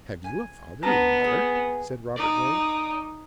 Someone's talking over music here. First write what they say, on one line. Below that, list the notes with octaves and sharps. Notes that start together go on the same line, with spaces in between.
"Have you a father and mother?" said Robert Grant.
G#5
B3 D4 A5 A#5
G#4
D#4 D5